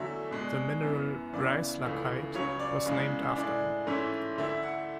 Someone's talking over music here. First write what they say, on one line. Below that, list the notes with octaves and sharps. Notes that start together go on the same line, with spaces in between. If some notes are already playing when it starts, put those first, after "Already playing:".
The mineral Breislakite was named after him.
Already playing: E2 D3 F#3 A3 E5
B2 G#3 D4
F#2 E3 B3
D2 C#3 E3 B3 D5
C#2 C#3 E3 A3
C#2 C#3 F#3 C#5
D5
E2 C#3 G#3
A2 G#3 D4 D5
G#2 E3 A3 C#4 E4
D2 D3 A3 E4 E5
F#5